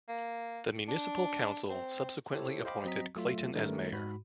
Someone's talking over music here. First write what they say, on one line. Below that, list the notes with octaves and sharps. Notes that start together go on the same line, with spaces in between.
The municipal council subsequently appointed Clayton as mayor.
A#3
D4
C4
E4 G4 A4 C5 C#5
C5 D#5 F5 G5 B5 D6
F#3 C4 F#4 D#5 A#5 B6
F#3 A3 F4 E5
D#3 G3 A3 C#4 A#4 B4
G#2 F#4 B5